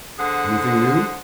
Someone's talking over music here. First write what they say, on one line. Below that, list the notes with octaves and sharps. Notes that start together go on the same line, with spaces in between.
"Anything new?"
D3 G#4 C5 F#5